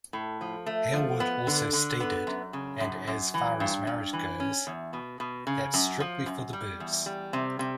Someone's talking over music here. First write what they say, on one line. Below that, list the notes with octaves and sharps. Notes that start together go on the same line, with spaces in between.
Hailwood also stated And as far as marriage goes-that's strictly for the birds!
A2
F3
A3
F3
B3
D3
D3
B3
F#2
C#3
F#2
F#2
E3
G2
G2
E3
C#4
E2
B2
B2
C#3
F#2
F3
F#2
G3
E2
G3
C3
C3